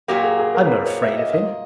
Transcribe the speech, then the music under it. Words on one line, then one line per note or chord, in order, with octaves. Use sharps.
"I am not afraid of him."
A#2 F#3 A#3 G4
G#4
G#4
A#4
B4
C5
C#5
E5
D#5
D#5